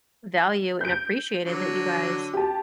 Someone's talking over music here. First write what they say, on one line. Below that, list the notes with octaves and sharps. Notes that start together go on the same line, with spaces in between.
value and appreciated that you guys,
G6 D7
D3 F#3
G4 A5